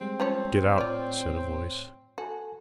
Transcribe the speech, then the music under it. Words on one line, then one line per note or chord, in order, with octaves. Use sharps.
"Get out," said a voice.
G3 G#3 C4
F3 C#4 C#5
A2 F4 C#5 D5 F6
F#4 A4 G#5 A5